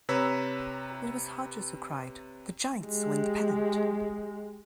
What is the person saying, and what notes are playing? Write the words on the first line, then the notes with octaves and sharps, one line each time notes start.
It was Hodges who cried, The Giants win the pennant!
C3 B4 C#5 A#5 E6 B6
G#3 G4